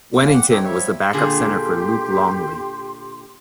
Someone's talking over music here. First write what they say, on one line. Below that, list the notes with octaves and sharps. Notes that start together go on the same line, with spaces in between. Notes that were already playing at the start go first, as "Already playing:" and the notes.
Wennington was the backup center for Luc Longley.
D3 F#3 A#3 C#4
G4 F#5
C4 D#4 G4 A4 C#5
F3 G3 C#5 E5
A#2 D3 G4 G#4 C6